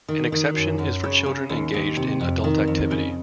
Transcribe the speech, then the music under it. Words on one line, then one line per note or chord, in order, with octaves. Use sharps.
An exception is for children engaged in adult activity.
D#3
D#3
F#2
F#2
C#3
C#3
D#2
D#2
C3
F2
D#3
F2
C#3